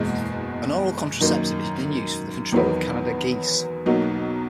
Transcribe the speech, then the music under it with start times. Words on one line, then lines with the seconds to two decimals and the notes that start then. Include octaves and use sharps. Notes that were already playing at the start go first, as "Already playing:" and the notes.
An oral contraceptive is in use for the control of Canada geese.
Already playing: F#1 E2 B2 G#3
1.20 F#2 D#3 A#3 D#4
2.52 E2 D#3 F#3 B3
3.86 B1 B2 F#3 A#3 D#4